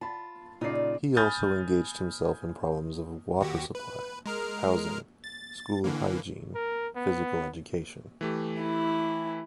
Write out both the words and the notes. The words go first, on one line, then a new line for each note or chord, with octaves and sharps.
He also engaged himself in problems of water supply, housing, school hygiene, physical education.
F4 A5 B5
A#2 C#3 D#4 D5 C7
G#5 B5 D#6 F6 G6 A6
D#2 F#4 G4
B4
G#3 A#4 F6
A6
D3 E3 A#3
A#4
B3
E3 A3 G4
E4